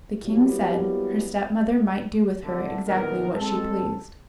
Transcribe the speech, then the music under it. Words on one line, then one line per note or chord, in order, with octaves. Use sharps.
The king said, her stepmother might do with her exactly what she pleased.
F#3 G3 A#3 B3 E4 G4
C2 D3
A#1 D#3 E3 B3 A#4
G#3 C4 A4